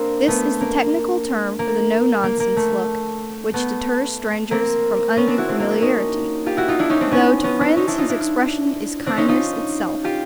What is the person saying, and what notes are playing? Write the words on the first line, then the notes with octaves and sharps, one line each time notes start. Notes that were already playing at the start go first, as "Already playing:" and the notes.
This is the technical term for the "no nonsense" look which deters strangers from undue familiarity, though to friends his expression is kindness itself.
Already playing: A#3 C4 D4
A3 B3
A#3
A#3
A#3
A#3
A3
A3 B3
A#3 C4
B3 C#4
C4 D4
E4 F#4
C4 D4
A#3 C4
C4 D4
C#4 D#4
F4 G4
E4 F#4
D#4 F4
D4 E4
C#4 D#4
C4 D4
B3 C#4
B3 C#4
C4 D4
C#4 D#4
D4 E4
D#4 F4
D4 E4
C4 D4
C#4 D#4
D#4 F4
F4 G4